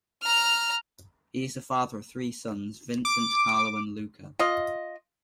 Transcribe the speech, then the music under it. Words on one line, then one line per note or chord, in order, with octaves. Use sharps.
He is the father of three sons, Vincent, Carlo, and Luca.
A#5 F6
D6
F4 D#5